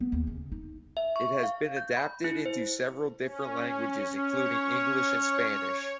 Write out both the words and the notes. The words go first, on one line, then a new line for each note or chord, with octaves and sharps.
It has been adapted into several different languages including English and Spanish.
B3
D#2
C#3
D#4
E5
C#6
F5
G6
B5
E4
C5
C#4
C#4 C#5